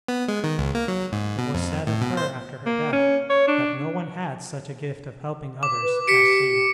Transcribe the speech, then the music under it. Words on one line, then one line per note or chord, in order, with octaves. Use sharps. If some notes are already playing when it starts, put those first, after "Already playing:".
It was said of her after her death that no one had such a gift of helping others as she.
B3
G#3
D#3
C#2
A#3
F#3
G#2
B2
F2
A2
B2
C5
A#3
C#4
C#5
D4
D6
B4
G4 B6 C#7 D7